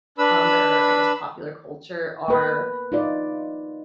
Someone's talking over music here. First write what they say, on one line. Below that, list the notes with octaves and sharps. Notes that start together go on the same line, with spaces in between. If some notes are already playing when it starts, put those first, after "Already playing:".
um, that are, I guess, popular culture are
D4 B4 B5 E6
A#3 B4
D#4 F4 D5